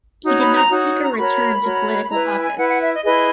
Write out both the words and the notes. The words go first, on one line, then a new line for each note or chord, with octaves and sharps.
He did not seek a return to political office.
D#4 F#4 C#5
B5
A#5
D#4 F#4 C#5
A#5
C#6
F#4 A#4 C#5 B5
F#4 A#4 C#5
B5
E4 B4 A#5
G#5
G#5
E4 B4 F#5
F#5
E5
D#5
E4 G#4 B4 D#5